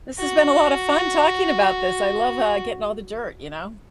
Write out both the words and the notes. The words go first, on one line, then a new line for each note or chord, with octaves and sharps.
this has been a lot of fun talking about this, I love, uh, getting all the dirt, you know?
F#4